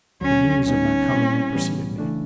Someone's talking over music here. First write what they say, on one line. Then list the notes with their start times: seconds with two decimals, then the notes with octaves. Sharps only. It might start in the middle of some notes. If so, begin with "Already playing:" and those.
The news of my coming had preceded me.
0.21 D2 D3 F#3 C#4
0.65 D2 D3 G3 B3 C#4 D#4
1.11 A#2 G3 C4 E4
1.54 A2 E3 G3 B3
1.98 C#3 E3 A3 D4